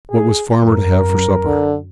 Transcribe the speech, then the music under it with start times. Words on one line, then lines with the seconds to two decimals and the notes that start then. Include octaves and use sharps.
What was farmer to have for supper?'
0.11 G#4
0.64 F#2 A#4
1.46 D3